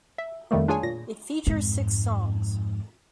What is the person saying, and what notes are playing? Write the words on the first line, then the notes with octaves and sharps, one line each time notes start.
It features six songs.
E5
F2 D3 D#3 G3 A3 A#3
D4 F4 G#4 C#5 G#5
A#2 A#6
F2 G#2